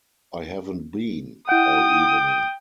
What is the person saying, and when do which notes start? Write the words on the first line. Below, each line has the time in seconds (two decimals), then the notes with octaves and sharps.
I haven't been, all evening.
1.49 E4 F#5 G5 D#6